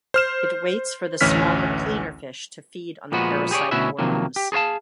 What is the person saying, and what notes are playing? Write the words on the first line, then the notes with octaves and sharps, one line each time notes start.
It waits for the smaller cleaner fish to feed on the parasite worms.
C5 F6 E7
A1 D2 E3 C#4 F6 B6
A#2 F3 G#3 B3 F#4
G4 G#4 A#4 C#5 D5
D2 B2 C#4 E4 F#4 E5
C3 D#3 F3 F#3 A#3
G4
G#4 A4 C#5 F5 A5